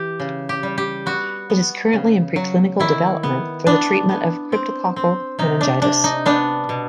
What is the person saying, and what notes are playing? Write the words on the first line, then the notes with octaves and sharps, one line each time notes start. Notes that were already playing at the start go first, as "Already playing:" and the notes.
It is currently in preclinical development for the treatment of cryptococcal meningitis.
Already playing: E3 G4
C#3
G4
G3
G4
B3 F#4
B3
C#3
F#3
D#3 E4
B3
B3 D4
B3
C4
C4
C3 D#4
D4
C3 D4
D#4
B3 D4
B2